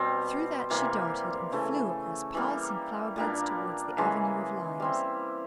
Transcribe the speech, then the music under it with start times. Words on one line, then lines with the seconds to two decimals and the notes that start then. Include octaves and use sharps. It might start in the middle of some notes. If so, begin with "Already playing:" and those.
Through that she darted, and flew across paths and flowerbeds towards the avenue of limes.
Already playing: B2 G3 C4
0.70 C3 E3 G3 A#3
1.52 C#3 E3 A3
2.35 E3 G3 A#3
3.16 A#2 G3 A#3 D4
3.98 C#3 E3 G#3
4.80 G3 C4 E4